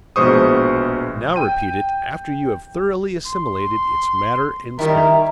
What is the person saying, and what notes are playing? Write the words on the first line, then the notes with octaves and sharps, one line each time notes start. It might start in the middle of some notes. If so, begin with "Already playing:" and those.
Now repeat it after you have thoroughly assimilated its matter and spirit.
A#1 B2 G#3 C5 C#6 D#6
G5 D#7
C6
D#3 G3 E4 A#5